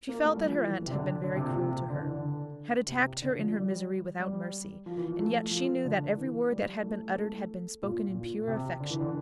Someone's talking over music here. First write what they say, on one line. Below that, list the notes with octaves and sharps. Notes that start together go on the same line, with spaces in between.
She felt that her aunt had been very cruel to her,--had attacked her in her misery without mercy; and yet she knew that every word that had been uttered had been spoken in pure affection.
A#3
A3
G3
F3
E3
C3
D3
D3
C3
A#2
C3
D3
E3
D3
C3
D3
F3
G3
G3
F3
E3
F3
A3
F3
D3
E3
G3
A3
A3
A#2
A#2
C3
D3
E3
D3